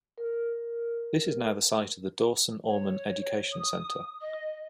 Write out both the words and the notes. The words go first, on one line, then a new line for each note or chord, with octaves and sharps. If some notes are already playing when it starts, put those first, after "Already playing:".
This is now the site of the Dawson Orman Education Center.
A#4
C#5
D#6
D#5